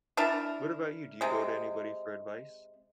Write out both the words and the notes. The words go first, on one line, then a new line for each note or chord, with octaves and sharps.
what about you? Do you go to anybody for advice?
D4 E4 A#4 A5
C3 G#3